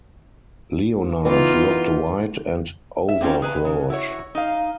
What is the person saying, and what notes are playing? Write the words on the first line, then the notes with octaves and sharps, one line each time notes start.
Leonard looked white and overwrought.
E3 B3 D#4 F4
E5
A#3 C4 C#4 F4
G#4 B4 G#5 A#5
C#3
E4 F#4 C#5
D#4 F5